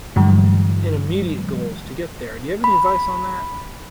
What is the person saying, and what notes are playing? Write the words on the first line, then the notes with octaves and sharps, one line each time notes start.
intermediate goals to get there. Do you have any advice on that?
G2 D3 E3 F#3 G#3
B5